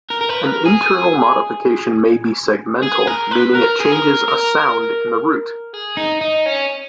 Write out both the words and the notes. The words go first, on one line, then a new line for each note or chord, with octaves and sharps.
An internal modification may be segmental, meaning it changes a sound in the root.
A#4
A#4
B4
A#4
G#4
G#4
A#4
B4
A#4
G#4
A#4
A#4
G#4
D#4
D#4
C#4